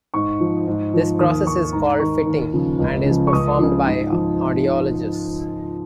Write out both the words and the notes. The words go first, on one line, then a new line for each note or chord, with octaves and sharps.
This process is called "fitting" and is performed by audiologists.
G#2 C#6
F3
G#2
F3
D#2 D#6
D#3 C#6
G#2 A#5
D#3 C#6
D#2
C#3 F3
C#2
C#3 F3
C#6
C#2 D#6
C#3 F3
G#2
F3